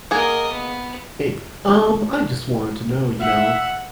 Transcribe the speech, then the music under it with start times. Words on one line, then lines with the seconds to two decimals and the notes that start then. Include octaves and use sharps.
Hey, um, I just wanted to know you know,
0.11 A#3 G#4 A#4 D#5 F#5
0.52 B3
3.20 E5 F#5